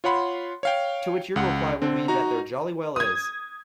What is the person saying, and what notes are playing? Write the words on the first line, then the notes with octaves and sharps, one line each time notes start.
To which your reply will be that there jolly well is.
F4 C#5 F#5 B5 C6
C#5 F5 G5
C#2 F#5
D3 C4
D#4 F#4 A#5
D#6 G#6